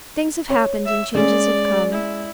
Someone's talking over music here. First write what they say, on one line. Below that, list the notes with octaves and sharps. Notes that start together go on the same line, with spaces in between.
Things have happened, and changes have come.
C#5
E5
G#3 C#4 D5
E4